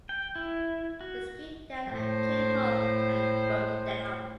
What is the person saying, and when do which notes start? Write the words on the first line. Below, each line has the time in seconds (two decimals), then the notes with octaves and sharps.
He skied down and came home and wrote it down...
0.09 G5
0.35 E4
1.01 F#4
1.88 A2 C5